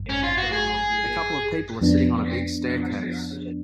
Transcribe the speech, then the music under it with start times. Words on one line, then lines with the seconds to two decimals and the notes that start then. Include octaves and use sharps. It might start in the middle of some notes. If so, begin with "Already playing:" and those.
A couple of people are sitting on a big staircase.
Already playing: G#1 F#2
0.09 C#4
0.24 F4
0.38 F#4
0.52 G#4
1.81 F2 F3 B3 D4